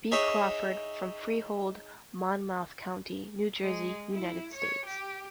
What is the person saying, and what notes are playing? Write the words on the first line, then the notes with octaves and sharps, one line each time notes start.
B. Crawford from Freehold, Monmouth County, New Jersey, United States.
D#4 G#4 C#5 E5
G#3
E4
C#5
G4